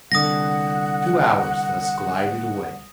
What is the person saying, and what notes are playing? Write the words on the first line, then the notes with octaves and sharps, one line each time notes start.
Two hours thus glided away.
C2 D3 F#5 D#6 A#6